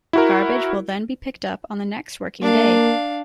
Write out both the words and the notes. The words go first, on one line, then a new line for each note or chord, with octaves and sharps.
Garbage will then be picked up on the next working day.
E4 F#4 A#4
A#3 D4 F5